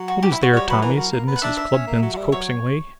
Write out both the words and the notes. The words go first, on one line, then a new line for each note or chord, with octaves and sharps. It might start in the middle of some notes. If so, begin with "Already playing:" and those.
'What is there, Tommy?' said Mrs. Cluppins coaxingly.
Already playing: F#3
F#4
G4
E4
F#4
G3 C#5
F#3 B4
E3 A#4
F#3
A#3
B3
F#5
D4 E5
E5
C#4
A#3
F#3
F#3
G3
F#3 C#5